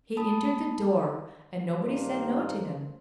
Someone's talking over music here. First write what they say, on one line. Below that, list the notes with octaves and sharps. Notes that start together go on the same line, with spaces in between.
He entered the door, and nobody said no to him.
A5 B5 D#6
G2 D#3 A#3 D4 C5